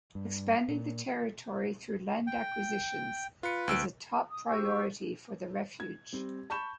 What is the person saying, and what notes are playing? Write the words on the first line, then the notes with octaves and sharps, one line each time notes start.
Expanding the territory through land acquisitions is a top priority for the refuge.
G2
A#2
G5
F4 B4 C#7
D2 E6 D7
D#6
G4 C5 C#6 E6
G#6
G3 C4
A5 B5 C#6 G6 E7